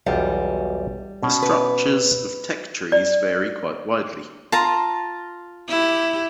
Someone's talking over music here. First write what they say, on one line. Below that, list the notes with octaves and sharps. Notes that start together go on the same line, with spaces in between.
The structures of tech trees vary quite widely.
B1 E2 G3 F4
B2 C#4
B4
D5
F4 A5 A#5
E4 G4